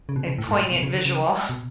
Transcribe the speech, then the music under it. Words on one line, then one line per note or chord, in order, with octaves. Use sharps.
a poignant visual.
C#3
B2
C#3
A2
G#2
A2
B2
C#3
D3
C#3
B2